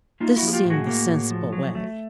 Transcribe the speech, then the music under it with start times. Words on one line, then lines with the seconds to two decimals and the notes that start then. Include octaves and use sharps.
This seemed the sensible way.
0.20 A#3 D#4 F4
0.36 E4 F#4
0.42 F3
0.48 G#4
0.53 F4 G4
0.65 A2
0.70 F#4 G#4
0.87 A#3
1.09 A2
1.30 F3
1.53 F#3
1.75 A3